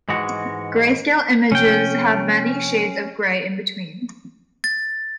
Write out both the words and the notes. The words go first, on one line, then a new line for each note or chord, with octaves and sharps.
Grayscale images have many shades of gray in between.
G#2 E3 G#3 F#4
C3 F3 A#3 C#4 G5
A6